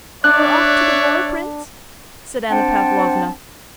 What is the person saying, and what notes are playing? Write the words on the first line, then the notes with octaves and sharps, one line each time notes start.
"You are off to the war, Prince?" said Anna Pavlovna.
D4 C#5 D5 E5 F#6
C4 D4 C5 F#5 G5 A5